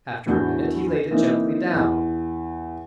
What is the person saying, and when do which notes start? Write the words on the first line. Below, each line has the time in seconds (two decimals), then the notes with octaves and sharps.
After a minute he laid it gently down.
0.27 E2 A2 D4 F#4 G6
1.11 E3 A#3 C4 D#4 E4
1.73 E2